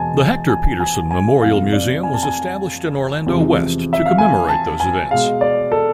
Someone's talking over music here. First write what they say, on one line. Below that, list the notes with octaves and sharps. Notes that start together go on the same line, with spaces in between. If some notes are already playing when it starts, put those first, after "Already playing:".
The Hector Pieterson Memorial Museum was established in Orlando West to commemorate those events.
Already playing: E2 B2 G#3 G#5 A5
G#5
G#5
G#5
G#5
F2 C3 F3 A3 F5
D5
G#5
A5
G#5
E2 C3 F3 G#3
E5
F5
G#5
A5
G#5
B2 G#3 F5
D5
A4